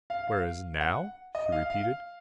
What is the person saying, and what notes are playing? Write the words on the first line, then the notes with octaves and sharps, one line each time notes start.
"Whereas now?" she repeated.
F5
F5
F#5
D#5
F5
F5